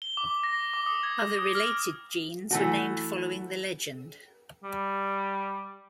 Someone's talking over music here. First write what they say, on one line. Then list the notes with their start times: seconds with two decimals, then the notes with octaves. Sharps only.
Other related genes were named following the legend.
0.02 G7
0.17 D6
0.44 A#6
0.74 D6
0.86 D#6
1.03 G#6
1.39 D#6
1.55 F6
2.51 E3 A3 F#4
4.64 G3